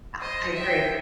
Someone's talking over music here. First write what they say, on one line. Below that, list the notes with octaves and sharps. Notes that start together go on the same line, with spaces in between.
I I agree.
C5 D#5
E5 G5